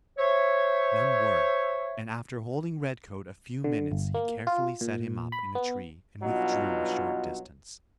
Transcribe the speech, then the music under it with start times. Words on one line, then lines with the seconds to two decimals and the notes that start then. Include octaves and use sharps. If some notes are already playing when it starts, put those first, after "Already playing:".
None were, and after holding Redcoat a few minutes he carefully set him up in a tree and withdrew a short distance.
0.18 C5 C#5 E5
3.64 D3
3.92 G1
4.14 A#3
4.47 F4
4.81 A#2
5.32 B5
5.55 B3
6.23 G2 B2 F#3 D#4 F4